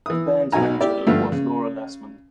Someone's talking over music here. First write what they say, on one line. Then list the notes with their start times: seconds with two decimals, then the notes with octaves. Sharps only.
The band's manager was Laura Lassman.
0.06 E3 D#6
0.52 B1 F#3 D#4 G#5 A#5
0.81 E4 G4 D5
1.07 G2 D3 F3 A3
1.32 C#3